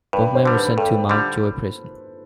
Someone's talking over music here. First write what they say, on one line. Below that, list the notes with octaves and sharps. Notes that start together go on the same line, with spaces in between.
Both men were sent to Mountjoy Prison.
G2 B4
C5
D3 G3
B4
G2 A4
D3 G3